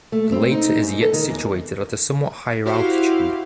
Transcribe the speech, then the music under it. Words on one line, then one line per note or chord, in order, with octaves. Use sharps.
The later is yet situated at a somewhat higher altitude.
A3
C4
D#4
G#2
A4
D#3
E2
E4 F#4 G4 C5 F5